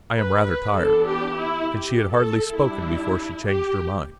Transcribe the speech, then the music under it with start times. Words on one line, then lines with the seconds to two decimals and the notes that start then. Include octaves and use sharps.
"I am rather tired." And she had hardly spoken before she changed her mind.
0.17 B4
0.46 B4
0.77 E3 B3 D4 A4
1.06 G4
1.36 E4
1.67 G4
2.12 A4
2.56 G3 D4 E4
3.46 G4